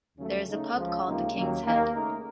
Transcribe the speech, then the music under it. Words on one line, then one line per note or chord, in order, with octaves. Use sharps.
There is a pub called The King's Head.
D#2 C#3 F#3 A3 C#4
C#3 A3 D#4
C#2 C#3 F3
C#2 C3 F3 A#3 D#4
D#2 D#3 F#3 A#3 C#4
D#2 D#3 A#3
C#3 A3 D#4 A#4